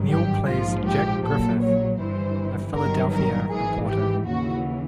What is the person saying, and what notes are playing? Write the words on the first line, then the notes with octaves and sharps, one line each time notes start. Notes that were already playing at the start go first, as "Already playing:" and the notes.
Neal plays Jack Griffith, a Philadelphia reporter.
Already playing: G#1 G2 D#3 F#3
G4
A#1 G#2 F3 F4
G4
A#1 A#2 F#3 A4
C#5
G1 G2 E3 C5
G1 G2 D#3 F#3 A#4
A#4
G#1 G#2 E3 G#4
G4
D#2 C#3 E3 F#4